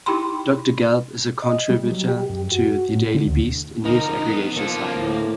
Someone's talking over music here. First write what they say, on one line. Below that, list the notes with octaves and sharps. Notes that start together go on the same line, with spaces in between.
Doctor Gelb is a contributor to The Daily Beast, a news aggregation site.
D#4 E4 G4 G5 B5 C6
D#5
G3
F#3
G4
F#2
F#4
A2
D3
D2
D3 F3 D#4 A#4
F2 B3
F3 A#3 B3 A4
D2 A2